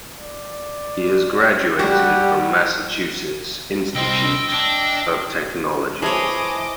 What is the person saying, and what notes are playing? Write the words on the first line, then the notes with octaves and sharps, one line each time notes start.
He has graduated from Massachusetts Institute of Technology.
D5
G3 F#4 G4
C2 C4 D#5 G5 E6
D4
E3 G#4 C5 C#5 D#5 G#5 A5 D6